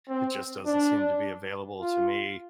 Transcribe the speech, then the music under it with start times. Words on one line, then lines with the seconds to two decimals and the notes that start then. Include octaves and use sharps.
it just doesn't seem to be available to me
0.09 C4
0.66 D4
1.81 F4